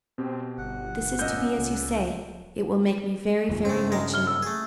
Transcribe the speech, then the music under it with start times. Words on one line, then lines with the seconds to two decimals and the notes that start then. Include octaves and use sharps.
If this is to be as you say, it will make me very, very wretched.
0.18 B2 C4 G4
0.58 G1 F#5
1.19 A#2 C#4 D#5 E6 G6
1.58 C#2
3.49 F1 D#2 A#2
3.65 G2 C#3 A3 C4
3.92 G#3 A#4 D#5
4.14 F#2 F6 G7
4.27 E6
4.43 A3 G#4